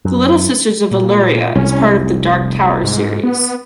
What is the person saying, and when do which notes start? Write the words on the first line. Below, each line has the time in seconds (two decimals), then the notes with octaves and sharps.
"The Little Sisters of Eluria" is part of "The Dark Tower" series.
0.05 F#2
0.91 A#2
1.56 C2 C#4
1.97 F1
2.83 G#2
3.23 B3